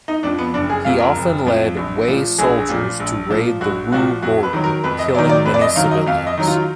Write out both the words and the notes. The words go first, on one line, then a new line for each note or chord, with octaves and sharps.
He often led Wei soldiers to raid the Wu border, killing many civilians.
D#4
F2 F3 D4
B3
F#1 D4
G#4
F2 F3 F5
A#4
F#1
F2 F3
A#1
A#2 F3
A#1 G#4
A#2 F3
A#1
A#2 F3
A#1 F#4
A#2 F3 F#4
F2 F#4
B4
D#3 F#3
A#4
F2 B4
D#5
D#3 F#3 D5
D5
F2 B4
D5
D#5
D#3 F#3 F5
D#5
F2 F5
D#5
D#3 F#3
F4